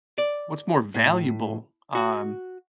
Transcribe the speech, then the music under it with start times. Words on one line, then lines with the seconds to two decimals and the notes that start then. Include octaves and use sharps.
what's more valuable, um
0.18 D5
0.94 A2
1.95 F#4